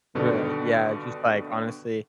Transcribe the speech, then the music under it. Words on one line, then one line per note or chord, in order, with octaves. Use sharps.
Right, yeah, just, like, honestly,
G2 B2 D3 D#3